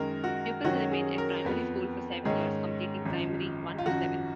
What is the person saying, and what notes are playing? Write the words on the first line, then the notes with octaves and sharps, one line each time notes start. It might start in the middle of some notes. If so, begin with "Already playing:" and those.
Pupils remain at primary school for seven years completing Primary One to Seven.
Already playing: F#2 D#3 G#3 A#4
F#4
F#2 D#3 F#3 C#4 F#4
G#4
A#4
F2 F3 B3
G#2 D#3 G#3 C#4 G#4
G#1 F#2 F3
F4
G#1 F#2 F3 F#4